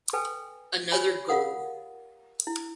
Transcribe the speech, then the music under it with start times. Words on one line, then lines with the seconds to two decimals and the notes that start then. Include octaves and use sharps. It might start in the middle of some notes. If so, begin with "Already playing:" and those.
Another Goal!
0.13 A4 B4 G5 G#5
0.92 G4 C#5 G#5 B5
1.28 F4 A#4 F5 F#5 D#6
2.47 E4